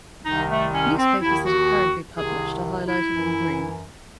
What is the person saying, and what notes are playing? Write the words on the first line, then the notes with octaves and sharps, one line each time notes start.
Newspapers that are currently published are highlighted in green.
C2 C3 D#3 D#4
A3
C#4
C4
D#2 D#3 E4
F#4
C2 C3 D#3 G#4
E4
F#2 E3